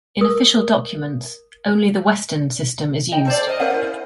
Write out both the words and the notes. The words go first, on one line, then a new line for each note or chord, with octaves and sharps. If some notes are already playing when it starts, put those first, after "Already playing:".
In official documents, only the Western system is used.
A#4 D#6
D#5 G5 A#5
A4 C5 D5
A#4 D#5
C4 A#4 F5 F#5
E4